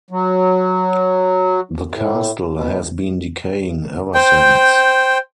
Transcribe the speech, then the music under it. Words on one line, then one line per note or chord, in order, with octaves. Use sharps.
The Castle has been decaying ever since.
F#3
A2
B2
C5 G5